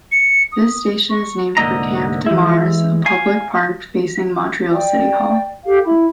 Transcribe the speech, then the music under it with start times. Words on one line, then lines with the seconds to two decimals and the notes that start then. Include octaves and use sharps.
This station is named for Champ-de-Mars, a public park facing Montreal City Hall.
0.12 C#7
0.52 D#6
1.09 C#6
1.57 C2 G#2 D3 A#3 D#5 A#5
2.26 E3 G#3 E4
3.06 F5 G#5
4.71 D5 G5
5.65 G4 A4 F5
5.85 E4 B5